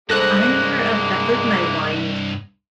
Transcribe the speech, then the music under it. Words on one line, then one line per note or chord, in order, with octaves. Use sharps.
I'm more of that's like my wind
C2 G2 G#3 A#3 A4 C5 F#6 A#6